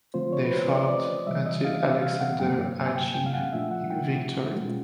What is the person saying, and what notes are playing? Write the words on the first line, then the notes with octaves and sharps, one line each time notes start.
They fought until Alexander achieved victory.
D3 F3 A3 C4 F4 C5
C#5
B4
C5
D5
D5
D#5
C3 E3 G3 E5
E5
D#5
F5
E5
F5
F#5
G2 D3 F#3 A#3 G5
G#5
G5
G5
F5
F#5
A#2 F3 A3 D4 F4 E5
F#5
G5
B2 G#3 C#4 F4